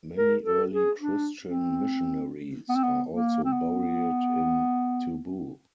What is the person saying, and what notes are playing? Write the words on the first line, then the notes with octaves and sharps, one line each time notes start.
Many early Christian missionaries are also buried in Tubou.
A#4
A4
G#4
D4
C4
B3
C4
B3
A#3
C4
B3